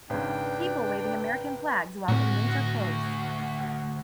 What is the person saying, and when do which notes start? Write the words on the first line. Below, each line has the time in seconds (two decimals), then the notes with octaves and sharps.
People waving American flags while in winter clothes.
0.10 G#1 C#3 D4 B4 G5
2.08 D2 A2 C4 F#4